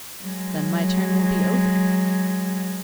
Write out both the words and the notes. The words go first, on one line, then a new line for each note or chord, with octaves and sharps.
Then my turn will be over.
F#3 G#3